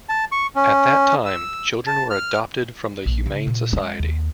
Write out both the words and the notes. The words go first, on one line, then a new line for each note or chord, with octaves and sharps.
At that time, children were adopted from the Humane Society.
A5
C#6
C#4
E6
A5
F6
A#1
C#3
A#2
G#3
D#2